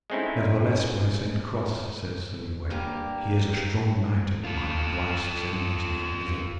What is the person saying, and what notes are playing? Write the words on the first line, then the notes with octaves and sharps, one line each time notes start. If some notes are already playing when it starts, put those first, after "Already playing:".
Nevertheless, by Saint Cross, said Sir Uwaine, he is a strong knight at mine advice as any is now living.
G#3 A3 C4 C#4 D#4 E4
G2 A#3 G4 A#5
F4 A4